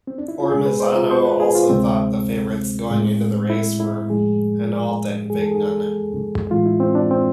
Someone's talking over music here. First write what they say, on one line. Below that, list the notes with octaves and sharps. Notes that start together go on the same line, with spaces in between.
Ormezzano also thought the favorites going into the race were Hinault and Fignon.
C4
D4
E4
F4
C2 B2 G#3 G#4
B4
C5
F4
C5
B4
G#4
F4
D2 C3 G#3 C4
A2 G#3
E4
E4
A2 F3 G#3 G#4
F2 E3 G#3 G#4
A4
G#4
A2 E3 G#3 F4
E4
C4
D4
C4